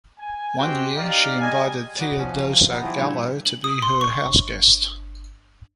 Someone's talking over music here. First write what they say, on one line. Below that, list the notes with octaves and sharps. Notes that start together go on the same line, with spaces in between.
One year, she invited Theodosia Gallow to be her house-guest.
G#5
G#3 C4 F#4 G4 C5 G5
D#4 G4 D5 F5
G3 G#3 D#5 G#5
D#4 F#4 B4 D5
F3 C#4
C3 F5
B3 D#4
E3 F3 C4 E4
G2 A#2 C#5 E5
F#7
D#6
C6
C#6
G1